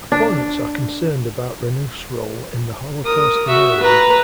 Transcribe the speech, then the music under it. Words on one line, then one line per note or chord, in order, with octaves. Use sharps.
Opponents are concerned about Renouf's role in the Holocaust denial movement.
D4
A#4 D#6
F#4 E5
B4 A#5